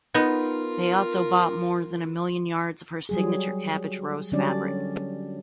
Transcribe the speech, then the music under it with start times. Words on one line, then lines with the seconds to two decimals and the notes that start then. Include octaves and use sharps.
They also bought more than a million yards of her signature cabbage rose fabric.
0.14 B3 D#4 F4 A#4
3.09 F#3 G3 G#4
4.32 D3 F#3 G3 C#4 D4 D5